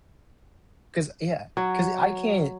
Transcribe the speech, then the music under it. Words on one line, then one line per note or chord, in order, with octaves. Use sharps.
'cause, yeah 'cause I can't
F#3